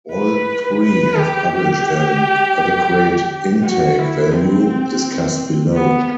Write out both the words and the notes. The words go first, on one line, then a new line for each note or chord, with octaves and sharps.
All three have published an "Adequate Intake" value, discussed below.
B4
B4
G4
G4
F#4
E4
C4
B3